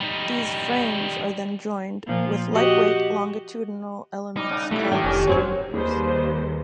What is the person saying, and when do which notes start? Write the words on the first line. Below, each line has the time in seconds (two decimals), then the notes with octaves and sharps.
These frames are then joined with lightweight longitudinal elements called stringers.
0.01 G3 D#4
2.06 A#2 F3
2.53 F#4 G4 D#5
4.37 G3 D#4 D6
4.50 C#3 F#5 A5
4.71 E3 G3 A3 A4
4.92 A2 D#3 D4 G4 A#4
5.04 F1 C#4 G#5
5.27 F1 F#3 C4 C#4
5.74 D#2 G3 G#4 B4 C5